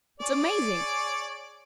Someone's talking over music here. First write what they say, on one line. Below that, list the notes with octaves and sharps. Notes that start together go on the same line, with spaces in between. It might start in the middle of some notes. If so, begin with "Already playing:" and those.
It's amazing!
G#4 C#5 D5